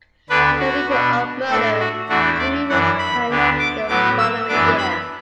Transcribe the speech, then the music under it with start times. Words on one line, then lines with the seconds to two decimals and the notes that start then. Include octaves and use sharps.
Convicted of murder, Jimmy was hanged the following year.
0.29 D2 D3 B3 D4 B4
0.59 F#4
0.89 B2 B3 D4
1.49 A2 A3 D4 A4
1.79 F#4
2.09 E2 E3 A3 D4 F#4
2.39 D5
2.69 F#2 E3 D4 F#5
2.99 B5
3.29 D2 D3 B3 D4
3.59 D6
3.88 A2 F#3 B3 D6
4.18 E6
4.48 F#2 E3 B3 D4 D6
4.78 B5